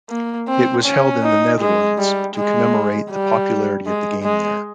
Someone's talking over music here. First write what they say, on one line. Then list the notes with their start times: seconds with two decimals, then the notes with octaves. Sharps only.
It was held in the Netherlands to commemorate the popularity of the game there.
0.10 A#3
0.48 C4
0.85 C#4
1.23 D#4
1.60 G#3
1.98 G3
2.36 G#3
3.11 G3
3.86 G#3
4.23 G#3